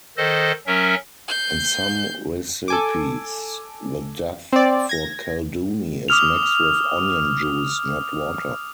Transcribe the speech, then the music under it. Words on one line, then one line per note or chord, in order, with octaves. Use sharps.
In some recipes the dough for kalduny is mixed with onion juice, not water.
D#3 A4 C5 D#5
F#3 C#4 A#4 E5
G6 C7
A4 G#5 D6
C4 D5
G#6 A#6
D6 D#6 F6 F7